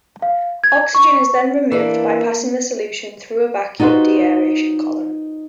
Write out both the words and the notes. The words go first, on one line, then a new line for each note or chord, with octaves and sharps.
Oxygen is then removed by passing the solution through a vacuum de-aeration column.
F5
G#6
C#6
E3 A#3 D4
D#4 F4 F#4 B4 C5